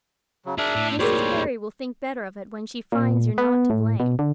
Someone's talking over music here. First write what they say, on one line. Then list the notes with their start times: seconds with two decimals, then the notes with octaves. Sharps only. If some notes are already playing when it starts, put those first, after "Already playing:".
Mrs. Barry will think better of it when she finds you're not to blame.
0.46 C#3 F#3
0.58 D4 G#4 A#4 E5
0.75 A2
0.99 D#2 A2 G3 F#4 G#4 A#4 C5 C#5
2.92 A#2
3.38 B3
3.70 A2
4.00 B2
4.19 D3